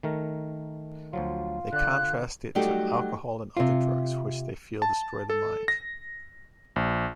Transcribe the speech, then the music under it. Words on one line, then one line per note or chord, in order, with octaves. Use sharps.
They contrast it to alcohol and other drugs, which they feel destroy the mind.
D#3 A3 A#4
D2 F3 F#3 F4
D3 D5 F#6
F#3 G3 A3 D#4 F#4 G4
C3 F4
A5
A4
A#6
A#1